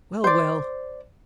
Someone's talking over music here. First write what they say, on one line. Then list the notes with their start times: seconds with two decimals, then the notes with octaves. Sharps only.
'Well! well!
0.24 C5 D5